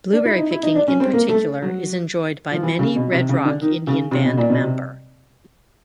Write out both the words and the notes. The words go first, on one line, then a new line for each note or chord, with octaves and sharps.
Blueberry picking in particular is enjoyed by many Red Rock Indian Band member.
D4
E4
D#4
E4
D#4
D4
C#4
C4
A#3
A3
F#3
F3
E3
C#3
B2
C3
C#3
D3
D#3
C#3
C3
B2
A#2
B2
C3